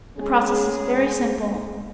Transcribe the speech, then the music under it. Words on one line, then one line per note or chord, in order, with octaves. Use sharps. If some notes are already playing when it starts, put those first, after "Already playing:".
The process is very simple.
G#3 C#4 G#4